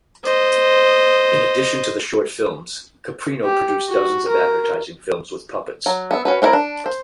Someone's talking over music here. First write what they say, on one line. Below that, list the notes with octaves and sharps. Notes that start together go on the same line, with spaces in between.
In addition to the short films, Caprino produced dozens of advertising films with puppets.
C5 D#5
G4
F#4
A#4
F#3
B3 E5
C#4 F#4 B4
C4 D4 E4 A#4 D5
D4
C5